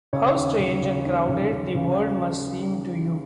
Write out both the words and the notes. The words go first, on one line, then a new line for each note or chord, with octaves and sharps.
How strange and crowded the world must seem to you!
C#3 C#5
D#2
C#3
C#3
D#2
C#3
C#3
C#3